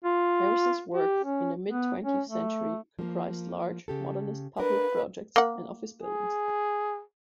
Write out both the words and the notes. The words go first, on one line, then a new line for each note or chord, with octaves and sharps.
Harrison's work in the mid-twentieth century comprised large, modernist public projects and office buildings.
F4
G4
C#4
B3
C#4
A3
F3 A#3
C#3 G4 A4
D4 A#4 B4
A#3 F#5
G#4